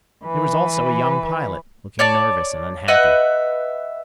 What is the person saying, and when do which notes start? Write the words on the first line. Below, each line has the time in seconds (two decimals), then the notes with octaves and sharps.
There was also a young pilot, looking nervous and unhappy.
0.25 E3 B4
1.99 C#5 D5 A5
2.88 B4 D#5 E5 F#5